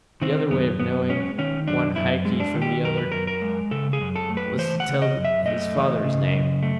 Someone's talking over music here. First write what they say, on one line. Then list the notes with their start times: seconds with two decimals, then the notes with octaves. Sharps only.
The other way of knowing one Haki from the other was to tell his father's name.
0.22 D#3 C4
0.51 F#2 B3
0.80 F#2 B3
1.09 G#3 C#4
1.38 D#3 C#4
1.68 F#2 D4
1.96 F#2 E4
2.25 G#3
2.40 D4
2.55 D#3
2.62 G4
2.84 F#2 A#4
2.98 B4
3.12 F#2 A#4
3.27 A#4
3.42 G#3
3.71 C#3 A4
3.93 G#4
4.01 F#2
4.16 A4
4.30 A3
4.37 B4
4.58 E3 C5
4.80 F#5
4.88 C#3
5.02 D#5
5.18 F#2
5.25 E5
5.46 A3 D#5
5.76 E3
6.04 C#3
6.34 F#2
6.63 A3